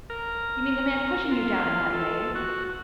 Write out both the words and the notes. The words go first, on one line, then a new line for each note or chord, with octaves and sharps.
"You mean the man pushing you down in that way?"
A#4
F4
A4
F#4